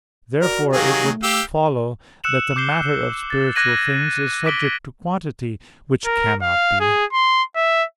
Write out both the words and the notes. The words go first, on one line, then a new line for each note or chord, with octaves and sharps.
Therefore it would follow that the matter of spiritual things is subject to quantity; which cannot be.
F#4 A#4 D5
D#3 F#3 G4 G#4 F5
A3
G4 F5 E6
E6 F#6 C#7 E7 F#7
D6 G6 C7 G7
A6
D6 F#6 G#6 A#6 D#7 F#7
D6 B6 D7 F#7 G7
A#4
F5
G#4
C6
E5